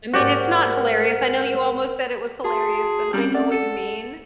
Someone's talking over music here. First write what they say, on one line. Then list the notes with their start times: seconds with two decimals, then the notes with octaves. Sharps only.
I mean, it's not hilarious, I know you almost said it was hilarious, and I know what you mean.
0.14 G#2 A#3 D4 F#4 G4 A#4 D5 F#5
2.44 F#4 G#4 A5 C6
3.13 G3 C4 C#4 A#4
3.34 D5 F#5
3.52 A4